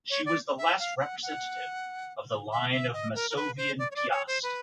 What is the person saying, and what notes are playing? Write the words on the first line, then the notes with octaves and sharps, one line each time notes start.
She was the last representative of the line of Masovian-Piast.
C#5
D5
E5
F5
F#5
F#5
E5
E5
D#5
A#4
A#4
B4
C5
D5
C#5
D5
C#5
C5
B4